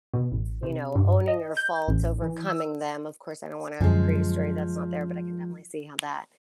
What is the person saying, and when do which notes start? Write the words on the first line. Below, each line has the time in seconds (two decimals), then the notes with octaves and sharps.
you know, owning your faults, overcoming them, of course, I don't wanna create a story that's not there, but I can definitely see how that
0.14 B2
0.32 A1
0.63 C3
0.95 G2
1.28 D#5
1.57 G6
1.88 A1
2.22 E3
2.47 E6
3.81 F#2 D3 F3 G#3